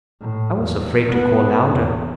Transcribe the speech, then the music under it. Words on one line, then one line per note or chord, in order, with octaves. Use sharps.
I was afraid to call louder.
A2
E2
B3
E2